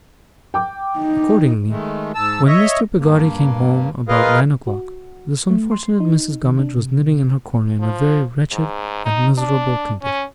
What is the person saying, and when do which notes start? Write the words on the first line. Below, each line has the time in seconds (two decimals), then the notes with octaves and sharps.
Accordingly, when Mr. Peggotty came home about nine o'clock, this unfortunate Mrs. Gummidge was knitting in her corner, in a very wretched and miserable condition.
0.54 G5 D6
0.98 D#4
1.69 D#3 G#3 A3
2.15 G#2 A5 E6
2.47 C#5 D#5 E5
2.99 G2 A#3
4.09 F4 G#4 A#4 B4 D#5 F5
4.67 F#4
5.50 A3
5.71 C6
6.00 D#4
6.43 D#3
6.59 D4
6.77 C3
7.80 F3
8.52 G#2
9.05 D#4
9.38 D4
10.02 C#4